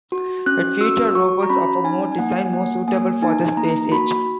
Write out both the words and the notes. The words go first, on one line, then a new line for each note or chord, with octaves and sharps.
It featured robots of a more design more suitable for the Space Age.
F#4
C#4 F#6
F#4 E6
F#4 C#6
A#5
C#4 B5
D#4 G#5
G#5
A#3 F#5
G#5
A#3 F#5
A#3 G#5
D#4 G#5
A#3 A#5
F#4 B5